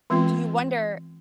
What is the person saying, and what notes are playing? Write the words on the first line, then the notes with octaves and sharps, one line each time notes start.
you wonder
E3 G#3 B3 C4 F4